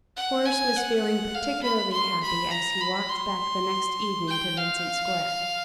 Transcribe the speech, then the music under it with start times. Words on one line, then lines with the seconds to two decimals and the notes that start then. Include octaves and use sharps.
Horace was feeling particularly happy as he walked back the next evening to Vincent Square.
0.17 F#5
0.46 G#5
0.76 F#5
1.35 F5
1.63 B5
1.92 C6
2.23 B5
2.51 A#5
2.81 B5
3.10 C6
4.28 G5
4.57 F5